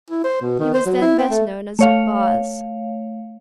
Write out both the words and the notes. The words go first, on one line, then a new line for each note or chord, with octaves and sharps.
He was then best known as "Boz."
E4
C5
B2
D#3
C5
F#3
E4
C4
A3
A3 C#5 F5